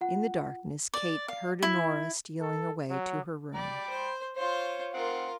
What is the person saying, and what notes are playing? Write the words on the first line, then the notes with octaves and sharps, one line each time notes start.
In the darkness, Kate heard Honora stealing away to her room.
F4 F#5
D5
F5
E4
A4
F#3
D5 G5 B5
C5
F4 C5 C#5
C4 F4 A#4 F#5